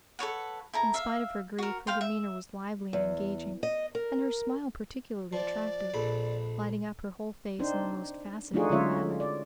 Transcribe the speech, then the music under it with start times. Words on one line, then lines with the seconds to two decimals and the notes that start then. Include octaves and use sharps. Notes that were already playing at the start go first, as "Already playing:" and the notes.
In spite of her grief her demeanour was lively and engaging, and her smile particularly attractive, lighting up her whole face in the most fascinating manner.
0.19 A4 B4 C#5 F#5
0.73 E4 A4 A#5
0.94 E5 F5
1.58 F#4 A#4
1.87 F5 G5 C6
2.01 E5
2.93 E2
3.63 D#5
3.95 A#4
5.33 F3 D5
5.94 A#1 F2 B5
7.59 C4 D4 D#4 C5
8.54 A3 D4 D#4 F4 F#4 G#4
8.70 D3 G#3 C#4 F4 C#5 E5
9.20 D5